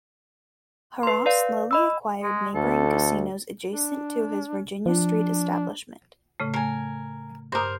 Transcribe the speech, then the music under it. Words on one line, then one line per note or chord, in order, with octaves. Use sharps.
Harrah slowly acquired neighboring casinos adjacent to his Virginia Street establishment.
B4 C6
B4 D5 F5
D#5 B5 E6
G#3
D2 A4
D4
F3 D4
A2 C#3 A3
A3 A#4 G#5
G2 A#4 C5 D6 D#6